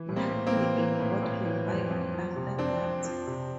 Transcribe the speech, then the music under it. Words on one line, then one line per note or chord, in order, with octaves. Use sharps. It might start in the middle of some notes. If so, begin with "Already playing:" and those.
Luckily, it got revived after that.
Already playing: E3
A2
A#3 C4
A2
A#3 C4
E3
E3
A2
A2
E3
F2
F2
F3
C3
F2 C4 D4
F2
F3
C3